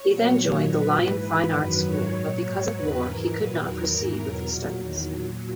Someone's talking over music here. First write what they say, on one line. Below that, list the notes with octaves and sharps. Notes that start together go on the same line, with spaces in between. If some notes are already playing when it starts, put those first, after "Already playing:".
He then joined the Lyon Fine Arts School, but because of war, he could not proceed with his studies.
Already playing: C#5
A#2 F#3
A#2 F#3
A#2 F#3 B4
G#2 E3
G#2 E3
F#2 D#3 F#3 B4
G#2 D#3 F#3 C#5
A#2 F#3 C#5
G#2 F#3 C#5
E2 C#3 F#3 B4
G#2 E3 A#4
A#2 F#3 B4
E2 D#3 F#3 A#4
G#2 E3
E2 B2 F#3
A#2 F#3
E2 D#3 F#3
A#2 F#3